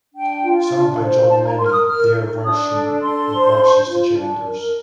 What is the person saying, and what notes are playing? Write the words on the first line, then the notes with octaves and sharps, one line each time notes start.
Sung by John Lennon, their version reverses the genders.
D4 G5
F4
D4
C5
D#4 A5
A#5
A#4 C6
F6
D#6
A#4 F6
D#4
D4 D#6
A4
D4 C6
C5
D4
F4
D4
A#4